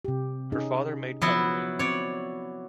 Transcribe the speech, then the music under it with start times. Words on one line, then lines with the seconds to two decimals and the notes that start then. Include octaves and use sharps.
Her father made cutlery.
0.05 C3 G4
0.52 C#4 D#4 G#4
1.22 F3 F#3 B3 E4
1.79 C4 C#5 D5